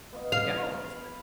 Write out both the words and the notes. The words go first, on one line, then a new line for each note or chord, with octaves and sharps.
The camo almost did.
B3 F4 D#5
F5
B5